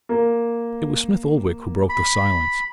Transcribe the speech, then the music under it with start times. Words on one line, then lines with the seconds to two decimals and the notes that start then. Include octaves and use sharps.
It was Smith-Oldwick who broke the silence.
0.09 A#3
1.89 B5